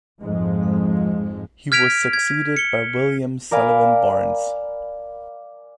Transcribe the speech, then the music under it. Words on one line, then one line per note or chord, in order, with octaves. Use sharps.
He was succeeded by William Sullivan Barnes.
F2 G#2 F3 G#3
F6 G#6 B6 D7 F7
G#6
C#7 G7
A#4 D5 F5 G#5 B5